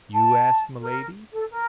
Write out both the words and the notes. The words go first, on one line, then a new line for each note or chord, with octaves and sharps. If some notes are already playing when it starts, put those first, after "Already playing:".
"You?" asked Milady.
A5
A#4
A4
A#4